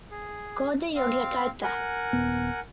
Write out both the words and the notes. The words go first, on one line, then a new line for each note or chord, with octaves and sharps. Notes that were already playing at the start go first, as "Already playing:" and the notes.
Code Yogyakarta.
G#4
C4 F5
A#4 F#5 G#5
D#1 B3